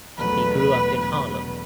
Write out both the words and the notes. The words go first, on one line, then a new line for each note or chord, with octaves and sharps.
He grew up in Harlem.
E1 E2 B2 F#3 A3 B4
B4
B4